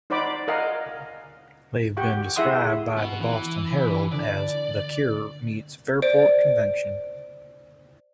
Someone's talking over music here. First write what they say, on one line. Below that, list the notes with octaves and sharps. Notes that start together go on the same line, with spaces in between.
They've been described by the "Boston Herald" as The Cure-meets-Fairport Convention.
D#4 C5 D5 F#5 B5 D6
A#4 D#5 F5 F#5 G#5
G4 F#5 G5 C#6
E4 G#4 E5 F#5 C6 D#6
B3 F#4
E3
B5
D3 D5
C5 D5 D7